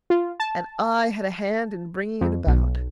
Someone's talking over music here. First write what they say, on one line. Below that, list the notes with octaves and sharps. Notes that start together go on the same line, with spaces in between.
And I had a hand in bringing it about.
F4
A5
F2
B1